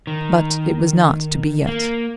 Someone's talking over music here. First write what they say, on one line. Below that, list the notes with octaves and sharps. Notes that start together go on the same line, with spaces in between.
But it was not to be yet.
D#3
A#3